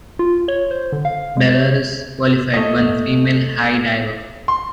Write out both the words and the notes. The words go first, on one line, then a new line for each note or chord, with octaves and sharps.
Belarus qualified one female high diver.
F4
C#5
C5
D3
F5
G#3
C#5
A3 D#5
C6